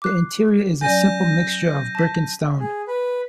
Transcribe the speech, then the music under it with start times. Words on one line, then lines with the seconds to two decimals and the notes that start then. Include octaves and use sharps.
The interior is a simple mixture of brick and stone.
0.02 D6 F#6 C7
0.81 F#3 C#4 D5 G#5 G6 A#6 D#7
1.95 A5 B6
2.60 G#4
2.87 B4